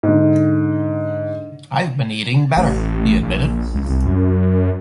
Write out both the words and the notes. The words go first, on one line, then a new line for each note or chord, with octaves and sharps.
"I've been eating better," he admitted.
G#2 D3
A1
A#1
A#1
C#2
C2
F#2